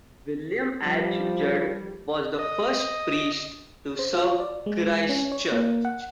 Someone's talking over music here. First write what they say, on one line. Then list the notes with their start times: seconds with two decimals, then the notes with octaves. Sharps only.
William H. Judd was the first priest to serve Christ Church.
0.84 F3 G3
2.39 D#5
3.99 C5
4.15 F4
4.40 D5
4.66 G#3
5.09 C#4
5.32 C#5
5.52 A#3
5.85 F#5